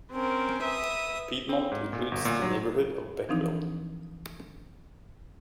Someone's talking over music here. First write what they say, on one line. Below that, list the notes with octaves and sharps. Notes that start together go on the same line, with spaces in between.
Piedmont includes the neighborhood of Beckville.
C4 C#4 A#4
B4 E5 D#6
C4
G#2
A#2
G1
A#2
F#3
E3 F3 C4 D4 D#4